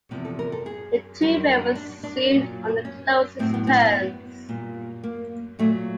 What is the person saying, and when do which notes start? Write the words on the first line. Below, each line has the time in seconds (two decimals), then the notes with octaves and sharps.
The two men were soon on the closest terms.
0.11 E2 C3 F3
0.25 A4
0.39 A#4
0.52 A4
0.66 G#4
1.21 F#2 D#3 G3
1.75 D4
2.03 D4
2.31 A#2 F#3
2.85 C#4
3.39 A2 C4
3.43 F#3
3.54 B3
3.67 C4
3.81 B3
4.49 A#2 G3
5.04 A#3
5.59 A#2 F#3 A3